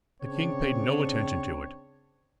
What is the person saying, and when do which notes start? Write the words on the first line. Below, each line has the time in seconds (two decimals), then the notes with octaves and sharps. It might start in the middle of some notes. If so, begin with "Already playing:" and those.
The king paid no attention to it.
0.22 C#3 C4 D4 C#5